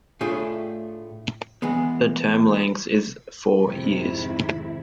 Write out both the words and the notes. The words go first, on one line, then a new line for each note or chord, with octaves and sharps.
The term length is four years.
A2 A3 D4 F4 G#4
E3 G#3 B3
F2 G#2 C3 D#3 E4